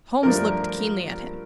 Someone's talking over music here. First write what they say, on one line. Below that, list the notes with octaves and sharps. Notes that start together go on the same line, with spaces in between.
Holmes looked keenly at him.
G2 F3 A3 D4 A#4